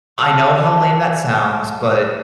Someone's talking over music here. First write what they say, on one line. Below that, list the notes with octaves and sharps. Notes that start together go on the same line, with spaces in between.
I know how lame that sounds, but
F#3 A3 A4